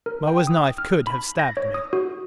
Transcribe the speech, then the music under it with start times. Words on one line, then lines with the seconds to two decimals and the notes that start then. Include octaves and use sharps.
Moa's knife could have stabbed me.
0.06 A#4
0.27 G5
0.47 D#6
0.78 F6
1.07 B5
1.39 A#6
1.57 C#5
1.74 D#6
1.93 F#4